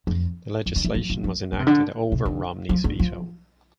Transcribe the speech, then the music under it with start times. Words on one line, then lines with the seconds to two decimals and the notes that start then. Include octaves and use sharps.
The legislation was enacted over Romney's veto.
0.07 F2
0.66 F2
0.76 D3
0.85 E3
0.95 F3
1.10 F3
1.24 F3
1.52 D3
1.60 C3
1.67 D3
2.12 C3
2.26 D3
2.69 F3
2.84 D3
2.99 F3